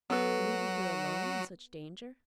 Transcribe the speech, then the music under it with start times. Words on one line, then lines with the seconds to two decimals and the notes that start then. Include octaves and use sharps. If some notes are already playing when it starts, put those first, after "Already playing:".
"And leave you here alone--in such danger?"
0.10 F#3 B3 F#4 A4 B4